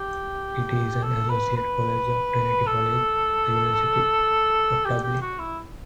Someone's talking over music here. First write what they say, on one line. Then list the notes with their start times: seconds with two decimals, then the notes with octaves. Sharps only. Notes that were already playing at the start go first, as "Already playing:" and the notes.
It is an associate college of Trinity College, the University of Dublin.
Already playing: G4
1.03 A4
1.29 B4
1.57 B4
2.66 A4
4.85 G4
5.03 G4
5.21 F#4
5.39 E4